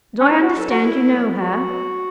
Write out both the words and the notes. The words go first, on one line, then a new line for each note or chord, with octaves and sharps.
"Do I understand you know her?"
C#4
E2 E4
F#4
B2 F#3 A4
F#4
E2 E4
B2 F#3
E2 F#4
B2 F#3